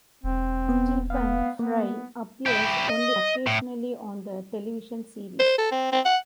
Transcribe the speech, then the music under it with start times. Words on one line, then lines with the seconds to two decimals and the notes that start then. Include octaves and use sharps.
Stephen Fry appears only occasionally on the television series.
0.23 E1 C4
0.69 B3
1.10 B3 F5
1.59 A#3 B3
2.46 E4 G4
2.89 D#5
3.47 A2
5.39 C5
5.58 A4
5.72 C4
5.92 C4
6.05 F#5